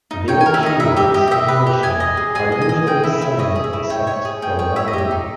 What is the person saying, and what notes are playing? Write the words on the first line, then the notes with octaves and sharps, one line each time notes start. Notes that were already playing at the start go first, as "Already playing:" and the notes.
Their hue and saturation are usually the same except for rounding.
D#4
C#5 G5
G#5
A#4
E5
D#4 D#5
B4 E5
G4 E5
G4 D#5
G5
D#5 E5
B4
G4
D#5 G#5
D#5
G#4
G#4 G#5
D#5
G#5
D#5
G#4 G5
E4 E5
E4 E5
C#5 D#5
G#4
E5
E4
C#5 G5
C#5
G#4
G#4 G5
C#5 G5
C#5 E5
D#5
G4 E5
D#4